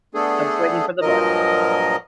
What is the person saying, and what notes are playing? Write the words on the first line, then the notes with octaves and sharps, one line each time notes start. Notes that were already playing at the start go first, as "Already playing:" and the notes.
I was waiting for the "but."
A3 B3 D4 G#4 A4
G2 A#2 F3 F#3 A#4 D#5